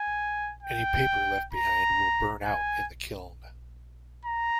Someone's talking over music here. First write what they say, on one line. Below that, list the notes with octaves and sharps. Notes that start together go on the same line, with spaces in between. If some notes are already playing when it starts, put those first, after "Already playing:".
Any paper left behind will burn out in the kiln.
Already playing: G#5
G5
A#5
G#5
A#5